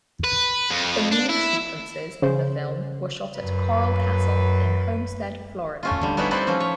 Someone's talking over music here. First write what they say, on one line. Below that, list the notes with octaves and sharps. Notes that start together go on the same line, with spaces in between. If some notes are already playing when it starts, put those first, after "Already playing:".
The Moon sequences in the film were shot at Coral Castle in Homestead, Florida.
B4
F2
D4
E4
C#3 C5
F#2 B4
A3 C#4 F4
D3 G3
G3 B3 C#4 D#4 E4
C4 D#4 E4 B4 C5 D5
F3 C#4
C#5